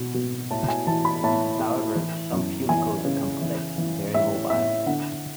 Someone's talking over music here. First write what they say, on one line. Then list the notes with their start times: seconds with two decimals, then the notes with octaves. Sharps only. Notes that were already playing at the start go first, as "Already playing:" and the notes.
However, some funicles are complex and very mobile.
Already playing: B2
0.14 B2
0.51 A2 A5
0.68 G#5
0.87 E3 A5
1.05 B5
1.24 A2 A5
1.59 A2
1.95 E3
2.32 F#2
2.69 E3 G#5
3.05 C#3
3.41 E3
3.78 E3
4.14 A2 E5
4.50 A2 E5
4.86 D3 F#5